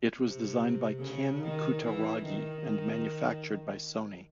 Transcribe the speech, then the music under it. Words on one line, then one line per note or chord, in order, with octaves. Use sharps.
It was designed by Ken Kutaragi and manufactured by Sony.
C3
C#3
D#3
E3
D#3